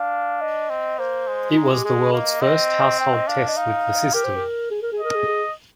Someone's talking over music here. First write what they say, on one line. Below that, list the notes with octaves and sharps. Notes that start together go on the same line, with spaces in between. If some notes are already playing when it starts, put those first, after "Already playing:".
It was the world's first household test with the system.
Already playing: D4 F5
D#5
C4
A#3 C5
G#3
F4
D#4
G4
G#3 G#4
G#4
A#3 D#5
C4 D#5
G5
D#5
D4 F5
D#5
D#4 F5
G4 A#4
C5
A#4
G#4
A#4
G#4
A#4 D#5
G#4
G#4